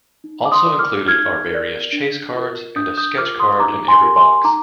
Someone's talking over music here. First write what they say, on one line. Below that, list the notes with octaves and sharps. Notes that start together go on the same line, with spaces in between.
Also included are various chase cards and a sketch card in every box.
D#4
D6
C6 D#6
A#4 D5
D6 F6
D#4 F6 G#6
A#4 D5
D4
F4 A#4
D4 D#6 G6
D#6 G6
F4 A#4 D6 F6
C6 D#6
D#4 A#5 D6
G#5 C6
G4 A#4
G#5 C6
D#4 A#5 D6